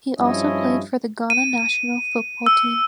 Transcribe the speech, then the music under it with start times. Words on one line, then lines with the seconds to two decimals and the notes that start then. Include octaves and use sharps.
He also played for the Ghana national football team.
0.18 G2 F3 C#4 E4 C#5 D#5
1.30 D#7
2.46 E6